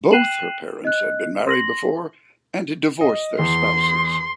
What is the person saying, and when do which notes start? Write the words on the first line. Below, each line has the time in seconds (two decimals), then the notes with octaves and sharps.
Both her parents had been married before and had divorced their spouses.
0.11 G5 F#6 C7 D#7 E7 F#7
0.85 D#5 F#6
1.47 C6 A#6 F#7
3.01 D#5
3.39 E2 C6